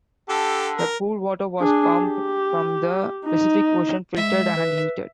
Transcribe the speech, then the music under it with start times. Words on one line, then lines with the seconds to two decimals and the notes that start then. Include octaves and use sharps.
The pool water was pumped from the Pacific Ocean, filtered and heated.
0.29 D3 G4 A4
0.78 A#4
1.60 D4 G#4
2.03 G4
3.25 D#4
4.17 G#3 E5
4.56 B4